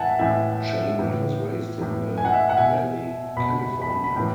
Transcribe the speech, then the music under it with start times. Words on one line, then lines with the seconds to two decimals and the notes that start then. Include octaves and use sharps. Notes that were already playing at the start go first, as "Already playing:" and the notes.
Chaney was raised in Mill Valley, California.
Already playing: A2 E3 E5 F#5 G#5 A5
0.19 A2 E3 E5 G#5
0.99 A2 E3
1.78 A2 E3
2.18 G#5
2.25 F#5
2.32 E5 G#5
2.49 F#5
2.57 B2 E5 G#5
3.36 B2 B5
3.59 B5
3.82 B5
4.04 B5
4.16 A2 E3